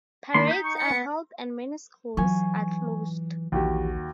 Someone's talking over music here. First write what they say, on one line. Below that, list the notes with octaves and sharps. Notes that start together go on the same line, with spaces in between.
Parades are held and many schools are closed.
D#3 A#3 B5 C6
D#4 G6 B6
C#6
C#7
B3
E3 F#3 F4 G#5 C#6
A#1 D#2 E3 F#4 G4